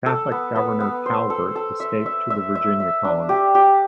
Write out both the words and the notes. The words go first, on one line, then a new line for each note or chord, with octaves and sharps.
Catholic Governor Calvert escaped to the Virginia Colony.
A4
B3
B3
B3
C5
A4
A4
E5
E5
E5
E5
E5
D4
G4
G4